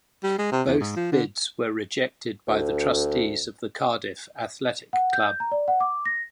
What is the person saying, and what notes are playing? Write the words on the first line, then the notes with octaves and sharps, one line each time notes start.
Both bids were rejected by the trustees of the Cardiff Athletic Club.
G3
G#3
C3
E2
G#2
F3
D3
D2
F#5
G6
A#5
D5
F#5
D6
A#6